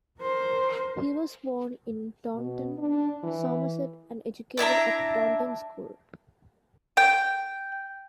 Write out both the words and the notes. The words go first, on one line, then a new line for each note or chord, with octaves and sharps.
He was born in Taunton, Somerset and educated at Taunton School.
A#4 C5
B2
D4
E3
D4 E4 E5 A#5
G5